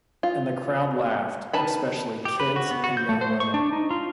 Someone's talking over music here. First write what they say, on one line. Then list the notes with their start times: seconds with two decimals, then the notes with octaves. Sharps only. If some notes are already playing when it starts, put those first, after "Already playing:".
And the crowd laughed, especially kids and young women.
0.23 F4
1.53 D#3 B4 A5 B5
2.25 G4
2.40 B4
2.56 F#4
2.71 B3
2.84 F#4
2.97 G6
3.09 A3
3.21 C5
3.40 C#6
3.54 D4
3.73 D#4
3.90 F4